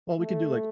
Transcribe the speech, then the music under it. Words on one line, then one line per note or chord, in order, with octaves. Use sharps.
Well, we can do, like,
A3